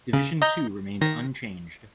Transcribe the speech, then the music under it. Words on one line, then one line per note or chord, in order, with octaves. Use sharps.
Division Two remained unchanged.
C#3
D#5 A#5 G6
D#3 A#6